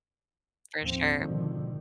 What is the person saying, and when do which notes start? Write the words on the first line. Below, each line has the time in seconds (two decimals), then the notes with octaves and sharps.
for sure.
0.81 A1 D#2 F3 C4
1.16 G#1 B2 D3 D#3 F3